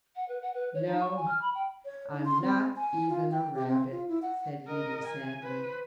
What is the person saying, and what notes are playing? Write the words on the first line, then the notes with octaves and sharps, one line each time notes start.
"No, I'm not even a rabbit," said Udo sadly.
F#5
B4
F#5
B4
C#5
D#4
C#6
G#5
F6
B5
G5
C#5
D#4
C6
C4
G#5
F4
G5
G4
C4
F4
E4
F#5
A#4 D#5
G#5
B4 C5